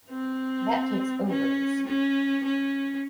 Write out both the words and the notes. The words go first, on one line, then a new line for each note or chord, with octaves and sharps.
That Takes Ovaries!
C4
C#4
C#4
C#4